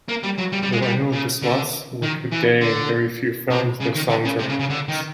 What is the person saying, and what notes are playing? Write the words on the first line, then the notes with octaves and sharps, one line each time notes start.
Though Anil Biswas worked with Dey in very few films, their songs remain famous.
A#3
G3
F#3
G3
G3
G#3
G3
C#3
D3
D#3
E3
D3
C3
C#3
D#3
D3
C#3
C3
C#3
C#3
D3
D#3